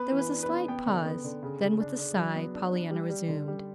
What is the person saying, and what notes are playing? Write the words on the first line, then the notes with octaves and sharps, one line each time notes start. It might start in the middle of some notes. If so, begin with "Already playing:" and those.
There was a slight pause, then, with a sigh, Pollyanna resumed.
Already playing: B3 B4
E3
B4
D4
B4
B3
B3 G5
D3
B3
D3
C#3
C#3
D4
D4
F#3
B3
D4
D4
G3
G3
D3
G3